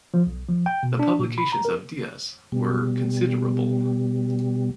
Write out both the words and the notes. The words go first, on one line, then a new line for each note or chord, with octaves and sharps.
The publications of Dias were considerable.
F3
B1
F3
G5
B2
D4
A#2
B5
A#5
A#4
B2 G3